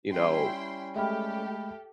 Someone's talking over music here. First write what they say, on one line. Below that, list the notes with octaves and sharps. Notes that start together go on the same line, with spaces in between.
you know
G3 C#4 E4 G5 C6
G#3 A3 G4 A4 E5 G5 B5 F6